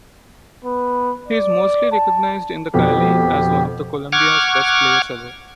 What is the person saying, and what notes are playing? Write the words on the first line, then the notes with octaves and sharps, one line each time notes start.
He is mostly recognized in Cali as one of Colombia's best players ever.
B3
D5
A5
F2 B2 G4
F#5 C#6 D6 F6 G#6